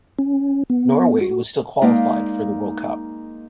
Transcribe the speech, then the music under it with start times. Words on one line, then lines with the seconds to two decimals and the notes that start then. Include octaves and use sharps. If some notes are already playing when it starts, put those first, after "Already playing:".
Norway was still qualified for the World Cup.
0.19 C#4
0.70 B3
1.21 F#4
1.81 G#3 A#3 D#4 D5 E5 F5